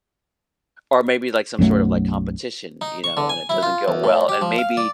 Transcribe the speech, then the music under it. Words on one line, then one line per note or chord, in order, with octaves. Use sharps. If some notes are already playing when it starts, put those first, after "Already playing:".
or maybe, like, some sort of, like, competition, you know, and it doesn't go well, and maybe
B1 F#2 F#3 A3
D#4
C#6
D3
G#5
E4
F4
E2
A2
G4
F3
F5
D5